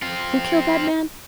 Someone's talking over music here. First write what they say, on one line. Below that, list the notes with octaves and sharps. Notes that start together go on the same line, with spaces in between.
Who killed that man?
C4 F4